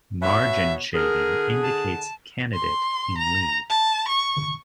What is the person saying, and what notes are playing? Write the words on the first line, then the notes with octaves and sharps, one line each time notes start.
Margin shading indicates candidate in lead.
B2 C#5 E5
D3 G#4 A#4
A5
C6
A#5
A5
C#6